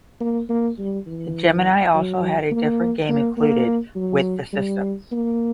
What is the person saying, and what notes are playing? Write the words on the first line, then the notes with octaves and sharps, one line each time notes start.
The Gemini also had a different game included with the system.
A#3
A#3
G3
E3
F#3
A#3
A#3
A#3
F#3
G3
A#3